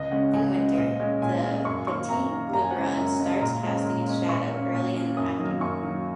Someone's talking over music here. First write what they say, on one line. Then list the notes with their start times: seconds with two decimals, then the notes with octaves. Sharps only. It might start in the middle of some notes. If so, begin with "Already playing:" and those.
In winter, the Petit Luberon starts casting its shadow early in the afternoon.
Already playing: C#2 D#5
0.11 C#3 G#3 C#4 F#5
0.33 C#2 G#5
0.55 C#3 G#3 C#4 F#5
0.77 A#2 D#5
1.00 G#3 C#4
1.22 A#2 G#5
1.43 G#3 C#4
1.65 F#2 C#6
1.87 D#3 A#3 C#6
2.09 F#2 A#5
2.31 D#3 A#3
2.53 F#2 A#5
2.62 G#5
2.71 F#5
2.75 C#3 G#3 C#4 G#5
2.97 F#2
3.19 C#3 G#3 C#4
3.40 A#2 A#5
3.63 G#3 C#4
3.85 A#2
4.07 G#3 C#4
4.29 A#2 C#6
4.51 A#3 C#4
4.73 A#2
4.94 A#3 C#4
5.17 F#2 D#6
5.38 D#3 F#3 A#3
5.60 F#2 C#6
5.83 D#3 F#3 A#3